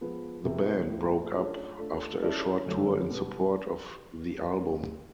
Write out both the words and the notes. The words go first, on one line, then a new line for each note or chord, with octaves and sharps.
The band broke up after a short tour in support of the album.
F3 G#3 B3
C3 F3 G#3 B3
A2 F3 A#3
A3 D4 F4 G#4 C#5
A3 D4 F4 A4
G#3 C#4 E4 A4 D5
F#2 D3 F#3 A3 C#4
B2 G3 B3